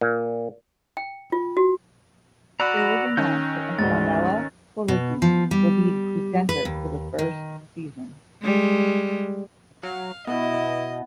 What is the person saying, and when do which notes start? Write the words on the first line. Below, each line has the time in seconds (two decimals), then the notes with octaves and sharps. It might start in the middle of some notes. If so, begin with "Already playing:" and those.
It was announced that Antonella Clerici would be the presenter for the first season.
0.01 A#2
0.97 G5
1.32 F4
1.57 F#4
2.60 F#4 D5 A#5 B5 E6 F#6 A#6
2.77 A#6 F7
3.17 D#3 C#4 G6
3.79 D2 G#2 A6
4.88 B2
5.22 F3
5.51 G3
6.49 B4
6.65 D#2
7.19 D#3
8.43 G3 G#3
9.83 F#3 F5
10.27 B2 B3 E4 D#5